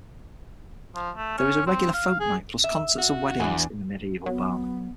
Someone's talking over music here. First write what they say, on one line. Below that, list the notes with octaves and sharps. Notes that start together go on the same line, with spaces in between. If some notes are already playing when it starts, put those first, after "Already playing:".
There is a regular folk night plus concerts and weddings in the medieval barn.
F3
A3
C#4
C4
F5
G#4
E5
F#4
E2 D4 D#4 G#5
F#3 B3